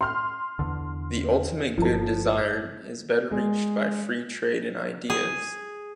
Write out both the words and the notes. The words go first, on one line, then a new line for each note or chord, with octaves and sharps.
The ultimate good desired is better reached by free trade in ideas.
C6 F6
E2 D3
G1 F3 A4
G#3
G#4